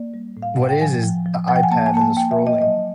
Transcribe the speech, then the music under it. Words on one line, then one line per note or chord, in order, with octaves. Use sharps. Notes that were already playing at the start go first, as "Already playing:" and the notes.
What it is is the iPad and the scrolling.
Already playing: A#3 D5
G3
A2
F5
A2 F#5
G5
F3 G#5
F3
F3
F3 F#5
G5
G#5
A#3 A5
G#5
A#3 A5
G#5
A#3 G5
E5
A#3
D#5
F#3 D#5